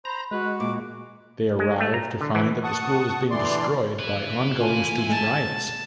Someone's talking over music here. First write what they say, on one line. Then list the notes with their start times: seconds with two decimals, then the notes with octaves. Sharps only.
They arrive to find that the school is being destroyed by ongoing student riots.
0.05 C5 A#5 B5
0.31 G#3 F#4 B4
0.60 A#2 D6
1.59 G#3
1.80 A3
1.94 A#5
2.21 D3
2.35 E3
2.64 F#5 A5 C#6 D#6
3.31 D3 E3 D5 C6
3.99 E4 B4
4.60 F4 G#5
5.09 G#3 A5